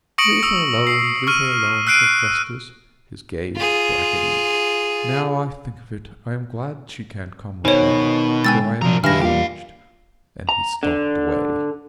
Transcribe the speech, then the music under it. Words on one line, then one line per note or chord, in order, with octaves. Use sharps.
'Leave her alone, leave her alone,' said Festus, his gaze blackening. 'Now I think of it I am glad she can't come with me, for I am engaged;' and he stalked away.
C#6 D#6 A#6 C#7 D7 F#7
D#6 E6
C7
C#6 F6 D#7
E6 F#6 C7 D7 D#7
F4 G#4
B2 D#3 C5 C#5 G#5
D3 G#3 G5 G#5 E6 A6
C3 F3 F#3 D4 A#4
C#2 G2 D#3 E4 F5 G#5 F6 A#6
E2 A#2 G3 G4 F5
A#5
D3